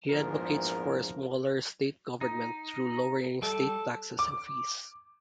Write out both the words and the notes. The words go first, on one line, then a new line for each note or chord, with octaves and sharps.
He advocates for a smaller state government through lowering state taxes and fees.
A#1 E2 G#2 F3 A#4
D#4
G3 A4
D6